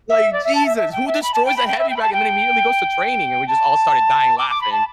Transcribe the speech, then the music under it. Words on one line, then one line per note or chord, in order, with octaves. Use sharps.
Like, Jesus, who destroys a heavy bag and then immediately goes to training, and we just all started dying laughing,
E5
D5
E5
A5
E5
E5
G5
E5
B5
A5
G5
B5
G5
E5
G5
B5
A5
G5
A5
D6
D6
B5
A5